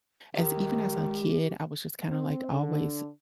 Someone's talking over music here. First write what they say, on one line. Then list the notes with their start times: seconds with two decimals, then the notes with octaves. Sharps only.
as even as a kid, I was just kinda, like, always,
0.35 D#3 G4
0.57 G#3
2.10 C4
2.52 D3